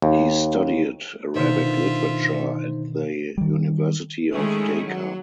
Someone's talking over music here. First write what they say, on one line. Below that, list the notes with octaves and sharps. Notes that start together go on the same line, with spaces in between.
He studied Arabic literature at the University of Dhaka.
D#2
B2 D3 D#3 D#4 F4 C5 E5
D#3 G3
D#3 G#3 A3 C#4 E4 G#4
F#3